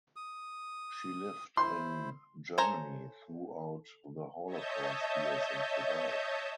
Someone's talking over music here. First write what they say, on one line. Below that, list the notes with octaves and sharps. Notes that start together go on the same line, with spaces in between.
She lived in Germany throughout the Holocaust years and survived.
D#6
E4 C5 C6
A4 C5 C#5 G#5 A#5
C#5 D#5 E5 A5 G6